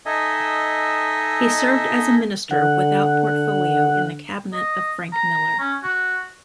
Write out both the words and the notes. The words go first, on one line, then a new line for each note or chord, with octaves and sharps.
He served as a minister without portfolio in the cabinet of Frank Miller.
D#4 A4 D#5 E5 G#5
D3 F#5
D#5
A#5
C#4
F#4